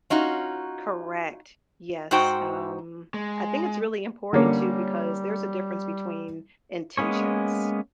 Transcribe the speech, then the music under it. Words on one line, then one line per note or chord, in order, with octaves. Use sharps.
Correct. Yes. Um, I think it's really important, too, because there's a difference between intentions,
C#4 D#4 F4 F#4
G#2 D#4 F#4 C5 G5
G#3
D3 G3 A#3 C#4
G#3 A#3 B3 C#4 C#5